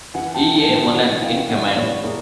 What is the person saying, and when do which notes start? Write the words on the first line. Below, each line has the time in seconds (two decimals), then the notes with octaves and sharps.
E. A. Mullan in command.
0.14 E3 F#5 G#5
0.34 G5 A5
0.41 E3
0.54 G5 A5
0.68 A2
0.75 G5 A5
0.95 E3 F#5 G#5
1.22 E3 F5 G5
1.49 A2 E5 F#5
1.68 D5
1.76 A2 B4 C#5
2.03 A2 G#4 A#4